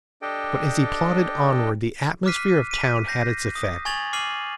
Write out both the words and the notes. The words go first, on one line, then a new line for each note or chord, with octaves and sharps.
But as he plodded onward the atmosphere of town had its effect.
D4 G4 A4 D#5 G5
D6 F6 F#6 B6 C7 D#7
B6 D#7
G6 A#6 C7
D#6 A#6
G#5 C#6 G#6 A6 F7 F#7
D6 F6 C7 D#7 F#7